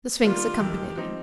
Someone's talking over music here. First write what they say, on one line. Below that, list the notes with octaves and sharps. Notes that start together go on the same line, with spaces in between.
The Sphinx accompanied him.
D#3 G3 A#3 D4 F4
F2 C3 D#3 G4
F3 C4 D#4 G4